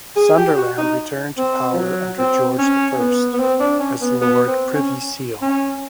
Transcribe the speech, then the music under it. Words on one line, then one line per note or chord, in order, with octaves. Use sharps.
Sunderland returned to power under George the First, as Lord Privy Seal.
G#4
G4
F#4
D#4
C4
F3
F#3
C4
C#4
B3
B3
C4
D4
C#4
B3
B3
C4
C#4
C#4